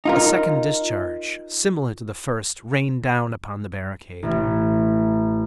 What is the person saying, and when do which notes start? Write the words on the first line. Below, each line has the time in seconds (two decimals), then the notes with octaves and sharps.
A second discharge, similar to the first, rained down upon the barricade.
0.05 D#4 F4 A#4
4.23 A1